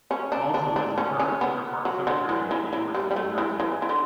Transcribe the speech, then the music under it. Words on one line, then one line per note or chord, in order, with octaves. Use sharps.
Balsam is interred at Cedar Park Cemetery, in Emerson, New Jersey.
C#4
D4
D4
D4
C#4
C#4
B3
F#3
D3
E3
E3
E3
G3
G3
A3
E3
E3
E3
D3